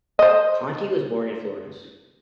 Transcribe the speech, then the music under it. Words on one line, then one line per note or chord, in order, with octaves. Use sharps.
Conti was born in Florence.
C5 D#5